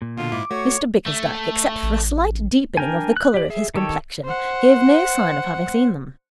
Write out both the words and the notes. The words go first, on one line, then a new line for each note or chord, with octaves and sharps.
Mr Bickersdyke, except for a slight deepening of the colour of his complexion, gave no sign of having seen them.
A#2
B2 D3 F4
G#2 E4 D6
A3 F#4 C#5
A3
A1
D4 A#4 G5 G#5
F#6
G4 D5
G#4 E5
D#3 G4 A4 C#5
C5 F#5